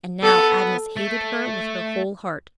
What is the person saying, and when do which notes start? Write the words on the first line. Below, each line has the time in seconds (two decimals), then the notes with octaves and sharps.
And now Agnes hated her with her whole heart.
0.23 B3 A4
0.97 A3